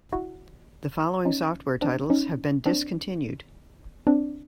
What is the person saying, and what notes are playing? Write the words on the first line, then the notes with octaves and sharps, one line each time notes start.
The following software titles have been discontinued.
E4 F#4
C#4 D#4
C4 D4
C#4 D#4
C4 D4
C4 D4